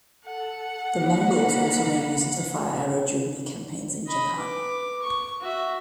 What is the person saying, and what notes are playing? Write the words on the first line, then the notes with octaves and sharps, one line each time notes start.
The Mongols also made use of the fire arrow during their campaigns in Japan.
A4 F#5
A#3 F5 B5
D#5 B5
B4 D6
C#6
F#4 E5